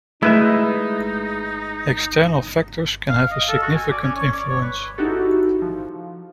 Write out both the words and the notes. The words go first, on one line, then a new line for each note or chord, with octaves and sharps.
External factors can have a significant influence.
G#3 A3 D#4 E4 B4 E5
F5
D#5
A4
F#4
G#5
D5
C#4
C#5
D5
C#5
B4
D#4 E4 F#4 G4 A4
F3